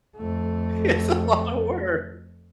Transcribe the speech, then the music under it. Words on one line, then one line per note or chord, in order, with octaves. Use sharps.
It's a lotta work.
F2 A3